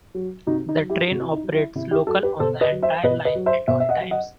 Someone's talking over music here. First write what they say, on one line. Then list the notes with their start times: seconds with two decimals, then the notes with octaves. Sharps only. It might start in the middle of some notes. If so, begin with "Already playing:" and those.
The train operates local on the entire line at all times.
0.15 F#3
0.47 C3 D#4 F#4
0.69 D#4
0.79 F#3
0.90 E4 G4
1.08 C3 F#4
1.20 E4
1.33 D#4
1.43 F#3
1.54 E4
1.75 C3 E4
1.91 E4 G4
2.07 F#3 F#4 A4
2.23 G4 B4
2.39 B2 A4 C5
2.61 B4 D#5
2.72 F#3
2.83 C5 E5
3.03 B2 B4 D#5
3.25 B4 D#5
3.35 F#3
3.46 C5 E5
3.68 B2 C5 E5
3.80 E5
3.89 D#5 F#5
4.00 F#3
4.11 D#5 F#5